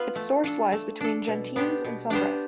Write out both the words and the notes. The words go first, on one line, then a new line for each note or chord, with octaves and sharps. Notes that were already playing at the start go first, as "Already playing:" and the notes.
Its source lies between Gentinnes and Sombreffe.
Already playing: B3 F4 B4
A3
D4 A4
A3
D4 A4
B2
B3 D4 G4 C5
B2
B3 D4 G4 C5